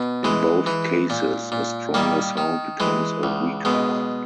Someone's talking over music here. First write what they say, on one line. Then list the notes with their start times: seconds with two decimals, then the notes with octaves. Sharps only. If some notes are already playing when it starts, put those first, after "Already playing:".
In both cases, a stronger sound becomes a weaker one.
Already playing: B2
0.24 E3 G#3
0.66 E3
1.10 A#2
1.52 A#2
1.94 D#3 G3 A#3
2.37 D#3
2.80 E3 G#3
3.23 C#2
3.65 B2 G#3